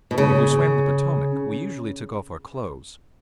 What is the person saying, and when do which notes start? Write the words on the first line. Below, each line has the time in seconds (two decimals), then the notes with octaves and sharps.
If we swam the Potomac, we usually took off our clothes.
0.11 B2
0.18 C#3